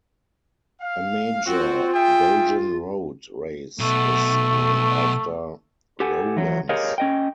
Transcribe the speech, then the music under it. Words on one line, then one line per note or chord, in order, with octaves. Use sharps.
A major Belgian road race is named after Roelants.
F5
C4 F4 F#4
G#4 E5 G5
B1 B2 A3
G4 A4 F#5 G#5
E3 F#3
G4 G#4 A#4 C#5 D#5 F5
C#4 D#5 G5